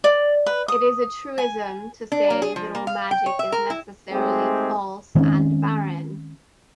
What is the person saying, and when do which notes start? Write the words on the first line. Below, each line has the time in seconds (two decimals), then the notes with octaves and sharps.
It is a truism to say that all magic is necessarily false and barren.
0.04 D5
0.46 B4
0.68 D#6
1.38 G#5
2.12 D4
2.30 A#3
2.42 G#4
2.56 F3
2.75 A#3
2.87 F5
3.11 G5
3.26 C#5
3.39 E5
3.52 A#4
3.70 E4
4.10 G#3 A3 C4 D#4 G4 G#4
5.15 D#3 G#3 C4 C#4